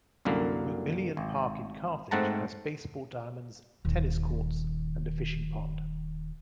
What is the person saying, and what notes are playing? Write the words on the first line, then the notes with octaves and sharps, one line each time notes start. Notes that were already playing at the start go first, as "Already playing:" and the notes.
McMillian Park in Carthage has baseball diamonds, tennis courts, and a fishing pond.
C2 F#2 D3 A#3
G#1
G#2 A3 C4 F#5 A5 A#5
D#1 D#3